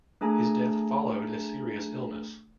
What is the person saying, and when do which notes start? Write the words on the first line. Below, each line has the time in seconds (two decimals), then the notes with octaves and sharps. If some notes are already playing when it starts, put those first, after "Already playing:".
His death followed a serious illness.
0.21 A3 D4 G#4 G#5 A#5